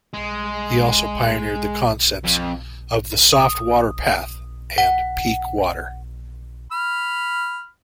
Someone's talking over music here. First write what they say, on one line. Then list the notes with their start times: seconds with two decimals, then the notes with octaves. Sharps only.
He also pioneered the concepts of the soft water path, and peak water.
0.14 G#3
2.24 F2
3.33 D#6
4.78 F#5
6.72 B5 F6